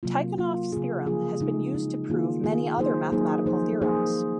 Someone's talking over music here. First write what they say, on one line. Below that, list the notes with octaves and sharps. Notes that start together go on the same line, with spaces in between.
Tychonoff's theorem has been used to prove many other mathematical theorems.
C3 F#3 A#3 F4
C3 F#3 A#3 F4
C#3 F3 A#3 F4 G#4
C#3 F3 A#3 F4 G#4
C#3 G#3 D#4
C#3 G#3 D#4
D#3 A#3 F4 G#4
D#3 A#3 F4 G#4
F#3 A#3 D#4 G#4 C5
F#3 A#3 D#4 G#4 C5
F3 A#3 D#4 G#4 C5
F3 A#3 D#4 G#4 C5